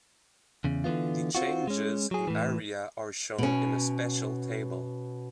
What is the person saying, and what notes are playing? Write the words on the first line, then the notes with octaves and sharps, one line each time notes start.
The changes in area are shown in a special table.
E2 C#3
D3 E3 F#3 B3 F4
C4 F4 F#4
G#3 C#4
F#3 G#4
A2 E3
B2 C#4